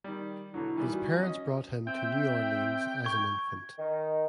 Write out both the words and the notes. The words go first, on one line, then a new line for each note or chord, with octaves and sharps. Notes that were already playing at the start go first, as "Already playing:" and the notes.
His parents brought him to New Orleans as an infant.
D#3 G3
B2 D3 F#3 E4
D#3 E3 G3
F#4
C#4 D#5
C4 E5 G5
C#6 G#6
D#3